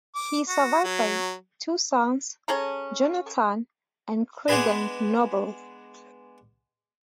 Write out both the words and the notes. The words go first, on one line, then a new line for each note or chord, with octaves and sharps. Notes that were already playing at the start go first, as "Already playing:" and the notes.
He is survived by two sons, Jonathan and Craigan Noble.
D6
F#4
F#3
C#4 G#4 A4 A#5
G#3 B3 D4 G#4 B4 D#5